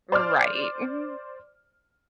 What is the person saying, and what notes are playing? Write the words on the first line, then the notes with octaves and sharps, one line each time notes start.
Right. Mhm.
C5 D5 D6 F6